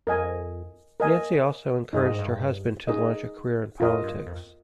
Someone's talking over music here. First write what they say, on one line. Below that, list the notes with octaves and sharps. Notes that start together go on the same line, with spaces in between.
Nancy also encouraged her husband to launch a career in politics.
F2 A#4 D#5 G#5
A#4 D#5 G#5
G2 D#4 G#4 D#5
G#2
G2
D#4 G#4 D#5
F2 F4 A#4 D#5
G2
F2